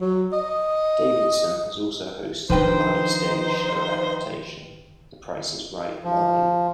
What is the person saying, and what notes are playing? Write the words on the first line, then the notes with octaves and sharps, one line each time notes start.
Davidson has also hosted the live stage show adaptation, The Price Is Right Live!
F#3
D#5
D#3 F3 D4 D#4 B4 C5 G5
F3